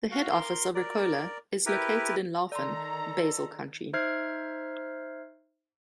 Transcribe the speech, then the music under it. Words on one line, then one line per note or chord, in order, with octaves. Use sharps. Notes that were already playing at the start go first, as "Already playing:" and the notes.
The head office of Ricola is located in Laufen, Basel-Country.
F#4 F5
A#4 C6
A#4 D5
E4 G4 A#4 B4
D#3 A4 D5 A#5 C6
D#4 C5 E5 F6 G#6 C7